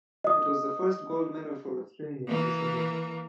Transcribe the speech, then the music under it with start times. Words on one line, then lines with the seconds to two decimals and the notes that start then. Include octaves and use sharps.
It was the first gold medal for Australia in this event.
0.24 D#5 D#6
2.27 E3 A#3